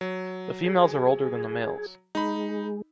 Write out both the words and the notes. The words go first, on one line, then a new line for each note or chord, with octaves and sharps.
The females are older than the males.
F#3
G#4
G#3 D#4 B5